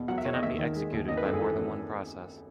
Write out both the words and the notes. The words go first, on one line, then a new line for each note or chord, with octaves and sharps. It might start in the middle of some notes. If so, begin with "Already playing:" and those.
It cannot be executed by more than one process.
Already playing: E2 B2
F#3 F#5
E5
E2 C#5
D#5
D#2 E5
D#3
G#3
D#2
G#1 D#5
B4
F#2 A4
G#4
E3 A4
G#1